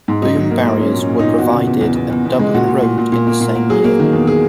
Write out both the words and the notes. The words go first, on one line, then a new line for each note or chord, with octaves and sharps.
Boom barriers were provided at Dublin Road in the same year.
G#2
F#3 D#4
F#3
A#3
A#3
F#3 C#4
A#2
C#4
A#2
D#4
A#2
E2 F#4
C#3
E2
E2
E2
E2
E2
G#3
A#2 F#4
A#2
A#2
A#2
A#2
A#3
A#2
A#3
F#3 G#4
A#3
D#3
E2
G#4